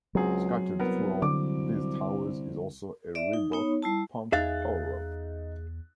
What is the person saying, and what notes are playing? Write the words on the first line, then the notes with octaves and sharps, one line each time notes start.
Scattered throughout these towers is also a Reebok Pump power-up.
C#2 F#3 C4 G#4
C2 B3 A#4
D3 D6
D5 E5
D#4
B3 D#4 C#5
G3 E4 A5
E2 D#4 G#4 E5 F5 F#6 A6